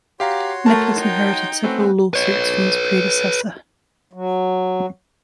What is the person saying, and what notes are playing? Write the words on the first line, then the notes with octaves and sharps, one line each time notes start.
Nicholas inherited several lawsuits from his predecessor.
F#4 G4 C#5 F5 A#5 C6
A3 A#4 A5
D#4 G5
A3 C4 C#4 F#4 B4
B4 C#5
F#3